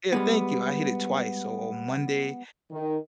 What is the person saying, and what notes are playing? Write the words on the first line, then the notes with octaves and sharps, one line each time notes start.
Yeah. Thank you. I hit it twice. So on Monday,
G3 G#3 B3
D#3